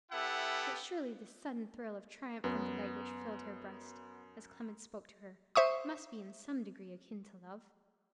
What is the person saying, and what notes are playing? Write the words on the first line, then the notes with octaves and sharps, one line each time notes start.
But surely this sudden thrill of triumph and delight which filled her breast, as Clement spoke to her, must be in some degree akin to love.
B3 E4 G4 A4 E5 F#5
F#2 B3
C5 E5 C#6 D#6